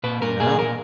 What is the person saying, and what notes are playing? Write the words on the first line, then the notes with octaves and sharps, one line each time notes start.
you know?
A#2 B4
A#2 A#4
A#2 G#4
A#2 A#4